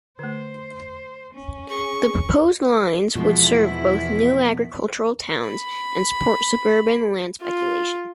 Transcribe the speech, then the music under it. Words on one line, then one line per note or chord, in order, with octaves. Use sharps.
The proposed lines would serve both new agricultural towns and support suburban land speculation.
D3 A3 C5
C#4
G#4 C#6
E2 B2 F3 G#3 E4
B5
F4